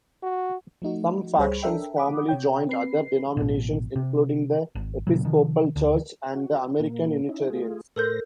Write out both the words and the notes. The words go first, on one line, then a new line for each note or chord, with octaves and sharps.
Some factions formally joined other denominations including the Episcopal Church and the American Unitarians.
F#4
F3 A3 D#4 F#4
C#2 G3 G#4 C5 C#5 B5
D4 A4 A#4 E5 G5
F#5 B5 D6 D#6
C3 C#5 G5
C4 B4 C7
A1 B2
C3
G#1
A#2 C#3 F#3
C3 D#3 F3
D2
F#4
A#2 A#3
C#4 D#4 E4
A3 F4 G#4
A2 A4 A#4 C5 G6 A#6